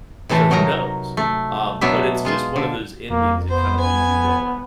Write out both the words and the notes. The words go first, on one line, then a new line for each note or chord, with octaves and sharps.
So, who knows? Um, but it's just one of those endings that kinda leaves you going,
A2 C3 E3 A3 A4
C3 F#3 D#4 A#4 A#5
A3
B2 F#3 B3 D4 E5
G#3 F4
D3
F2 A#3
B3 C5
G#5